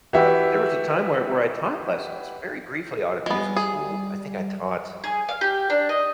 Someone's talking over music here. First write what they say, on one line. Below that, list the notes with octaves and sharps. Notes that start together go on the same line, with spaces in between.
Uh, there was a time where where I taught lessons very briefly out of music school, I think I taught,
E3 F#4 G4 E5
G3 G#3 B3
G#4
G#4
F5
G4
D4
D#5